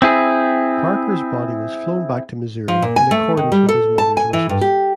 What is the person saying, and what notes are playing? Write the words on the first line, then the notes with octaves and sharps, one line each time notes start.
Parker's body was flown back to Missouri, in accordance with his mother's wishes.
C4 E4 G#4
F3
A#2
G#5
A3
D#3
G3
A4
A5
G#5
E3
G2
G4